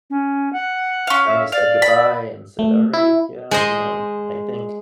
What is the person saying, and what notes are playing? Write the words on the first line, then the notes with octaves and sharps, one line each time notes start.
kinda said goodbye and said, "Alright, yeah, you know? I think
C#4
F#5
C#4 F5
E5
D5 F5
B5
A3
E4
G#3 C5 D#5